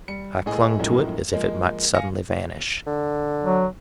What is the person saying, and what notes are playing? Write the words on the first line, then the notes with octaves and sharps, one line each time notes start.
I clung to it as if it might suddenly vanish.
G3 C#7
A2 A3 B3 G#4 D#5
F#2 A2 F3 G#3 A#3 D#4
F3 G#3 A#3
F5 G#5 A#6 C#7
D3
F#3